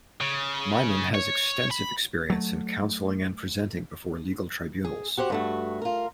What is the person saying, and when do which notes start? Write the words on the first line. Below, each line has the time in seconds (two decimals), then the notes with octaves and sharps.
Maimon has extensive experience in counseling and presenting before legal tribunals.
0.21 C#3
1.15 C#5
1.71 B5
2.30 F#3 A3
4.85 G#4
5.17 F#4 G4 C5 F5 F#5
5.30 G2 A3 F#4
5.82 F4 A#4